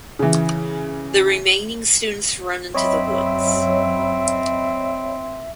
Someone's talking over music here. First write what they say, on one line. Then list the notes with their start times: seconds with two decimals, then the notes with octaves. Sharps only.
The remaining students run into the woods.
0.19 C#3 E3
2.75 F#2 F#3 C4 C#5 D#5 E5 B5